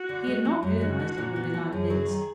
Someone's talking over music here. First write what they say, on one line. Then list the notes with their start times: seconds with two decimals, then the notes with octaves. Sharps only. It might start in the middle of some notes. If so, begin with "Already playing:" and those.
He had not realized it would be like this.
Already playing: F#4
0.09 D3
0.27 G#3
0.45 F3
0.63 F#2 F#4
0.81 G#3
1.00 D3
1.18 A#2
1.36 B3
1.54 F3
1.72 F#2 G#4
1.90 F#3
2.08 D#3